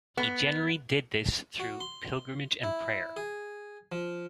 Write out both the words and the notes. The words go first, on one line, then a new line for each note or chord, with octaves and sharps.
He generally did this through pilgrimage and prayer.
B3
F#4
C6
E4
G#4
F3